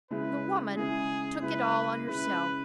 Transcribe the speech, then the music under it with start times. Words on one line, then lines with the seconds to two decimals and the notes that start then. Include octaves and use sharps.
The woman took it all on herself.
0.11 C#3 G#3 E4 B4
0.76 C#3 G#3 E4 G#4
1.42 C#3 G#3 E4 B4
2.08 C#3 G#3 E4 B4